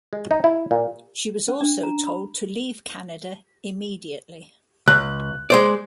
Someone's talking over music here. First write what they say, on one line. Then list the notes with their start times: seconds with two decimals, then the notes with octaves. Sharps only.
She was also told to leave Canada immediately.
0.13 G#3
0.31 D#4
0.44 E4
0.71 A#2
1.48 C#4
1.61 D4
1.83 A#5
2.07 B5
4.88 C#2 F#6
5.50 G#3 C5 D5